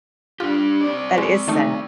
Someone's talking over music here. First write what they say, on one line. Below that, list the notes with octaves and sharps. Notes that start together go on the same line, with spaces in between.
That is sad.
D4 F4 G4
C4 D5
G#3
D#3 A3 D#4